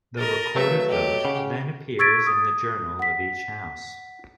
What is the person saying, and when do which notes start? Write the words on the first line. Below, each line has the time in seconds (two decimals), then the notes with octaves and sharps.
The recorded vote then appears in the journal of each house.
0.17 A#4 D#5 F6 A6
0.56 F#3 A3 B4 E5 F5
0.89 G4 C#5 D#5
1.25 C#3 F#5
1.99 C#6 E6 G#6 A6 B6 D7
2.27 D#6
2.99 F#5 B6